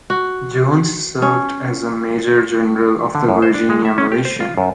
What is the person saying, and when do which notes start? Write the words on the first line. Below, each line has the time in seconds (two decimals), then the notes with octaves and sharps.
Jones served as a major general of the Virginia militia.
0.10 F#4
1.22 C#4
3.15 D3
3.28 F#2
3.42 C5
3.54 D4
3.70 G#3
3.85 E5
3.98 C#4
4.12 G4
4.25 C5
4.40 F4
4.58 F#2